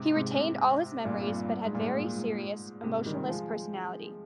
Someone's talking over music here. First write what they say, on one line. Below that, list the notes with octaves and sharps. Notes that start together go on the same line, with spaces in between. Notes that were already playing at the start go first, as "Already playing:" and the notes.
He retained all his memories but had a very serious, emotionless personality.
Already playing: G#2 C3
G#2 C3
G#2 C3
G2 A#2
G2
G2
G#2
A#2
G#2
G#2
G#2
G#2 C3
D#3 G3
F3 G#3